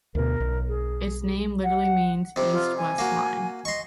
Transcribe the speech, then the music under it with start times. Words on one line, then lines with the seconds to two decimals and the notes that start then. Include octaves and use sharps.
Its name literally means "East-West Line".
0.15 D2 B2 A#4
0.40 B1
0.68 G#4
1.64 F#5
2.36 F2 C3
2.53 F4
2.78 G#5
2.98 A#3 F#4
3.65 D#5 C6 C#6